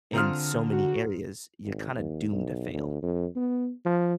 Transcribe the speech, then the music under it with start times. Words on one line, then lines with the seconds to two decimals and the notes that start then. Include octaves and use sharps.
in so many areas, you're kinda doomed to fail.
0.14 D3 C4 F4 A#5 C6 D#6 F6
0.71 F#4
1.64 G#1
1.97 D#2
2.32 B1
2.73 D2
3.02 F2
3.36 B3
3.85 F3